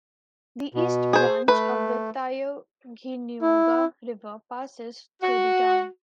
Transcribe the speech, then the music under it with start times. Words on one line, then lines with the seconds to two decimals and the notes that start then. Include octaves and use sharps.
The East Branch of the Tioughnioga River passes through the town.
0.75 B2
1.13 G#4 C5
1.48 A3 B4
3.42 E4
5.22 F#4